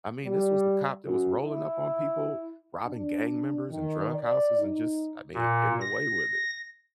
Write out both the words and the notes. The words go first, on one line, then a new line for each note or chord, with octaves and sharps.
I mean, this was the cop that was rolling up on people, robbing gang members and drug houses and just, I mean, getting away with it.
G3
F#2
E4
D4
D#3
D5
D#4
A#2
A#6